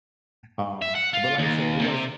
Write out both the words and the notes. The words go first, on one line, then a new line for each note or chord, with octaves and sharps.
um, but, like I say, it was
E5
F#5
F4
D#2
C3